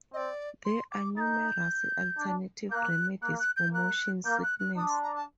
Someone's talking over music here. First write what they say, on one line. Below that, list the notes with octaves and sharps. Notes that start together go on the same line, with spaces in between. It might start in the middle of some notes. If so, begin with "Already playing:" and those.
There are numerous alternative remedies for motion sickness.
C4 D5 D#5
C6
D6
D#4 G6 A6
D4
A#3 F#6 G6
A#3 F#6
F#6
G6
A#3 F#6
A#3 G6
F#6
F#6
D4 D#6
C6
A#5
A5